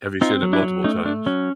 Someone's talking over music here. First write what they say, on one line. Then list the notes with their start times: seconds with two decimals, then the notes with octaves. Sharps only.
Have you seen it multiple times?
0.21 C4 D#4 F4
0.43 F#3
0.53 D4 E4
0.63 F#3
0.84 A3 C#4 D#4
1.05 A3 D4
1.26 F#3 C#4